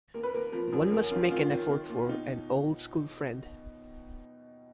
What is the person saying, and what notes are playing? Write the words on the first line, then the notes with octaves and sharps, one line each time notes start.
One must make an effort for an old school friend.
D#2 A#4
B4
D#2 A#4
F3 A#4
F#2
D#2 A#4
D#3 F4
D#3 F4
D#3
D#3
D#2
B2 D#4